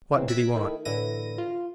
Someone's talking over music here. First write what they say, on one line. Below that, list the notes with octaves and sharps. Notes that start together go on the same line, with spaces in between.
What did he want?
C#3 E3 C4 D#4
E6 F#6 G#6 A#6 B6 D7
D#3 A3 E4
A2 D3 E3 E4 A#6 D#7
F4